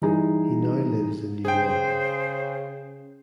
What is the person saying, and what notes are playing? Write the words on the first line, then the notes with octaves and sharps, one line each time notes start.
He now lives in New York.
E3 G3 D#4 G#4
C#3 G#4 C5 G5